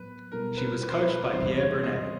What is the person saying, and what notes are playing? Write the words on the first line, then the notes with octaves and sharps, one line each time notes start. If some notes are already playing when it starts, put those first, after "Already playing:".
She was coached by Pierre Brunet.
Already playing: A2 F#3 B3 B4
B2 G3 B3 E4 A4 A#4
B4
B4
C5
B4
B4
A2 E3 G3 C4 D#4 C5
C#5
D#5